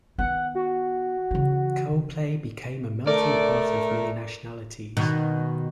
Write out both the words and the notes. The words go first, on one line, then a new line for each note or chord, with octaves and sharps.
Coplay became a "melting pot" of many nationalities.
D#3 B3 F#5
F#4
C#3 E3
A3 A#4 D5
B2 D#3